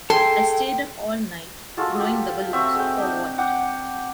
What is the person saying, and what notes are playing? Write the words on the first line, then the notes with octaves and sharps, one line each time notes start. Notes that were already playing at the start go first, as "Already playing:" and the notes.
I stayed up all night, blowing the balloons. For what?
G#4 A4 G5 C6
G#3 F4 F#4 A4
G4
A3 C4 F#4 E5
G#3 G5
D4 D#4
F#5 G5 D6